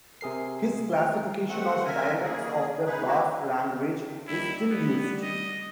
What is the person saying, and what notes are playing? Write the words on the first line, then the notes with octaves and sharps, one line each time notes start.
His classification of dialects of the Basque language is still used.
C3 G#4 A#4 C7
A3 C4 F#5
A#4 E5 G#5
C#3 A#3 G#4
G#3 D#4 G#4 B4
A#3 E4 F#4 G4 B4
D#2 G3 E4
G3 B3
D#5